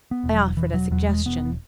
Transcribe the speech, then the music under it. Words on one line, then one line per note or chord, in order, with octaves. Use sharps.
I offered a suggestion.
B3
E1
F#3
E1 E3
F#3
E2 F#3
G#3
E1 B3